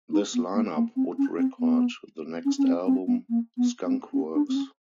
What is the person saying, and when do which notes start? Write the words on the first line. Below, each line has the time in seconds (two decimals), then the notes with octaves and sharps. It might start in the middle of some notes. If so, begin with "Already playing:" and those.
This line-up would record the next album, Skunkworks.
0.12 D#4
0.34 B3
0.54 A#3
0.75 A#3
0.96 C4
1.18 C#4
1.38 C4
1.59 B3
2.45 C#4
2.58 C#4
2.65 C4
2.87 C4
3.07 B3
3.29 A#3
3.57 B3
3.85 C4
4.13 C#4
4.35 D4
4.48 C4
4.55 C#4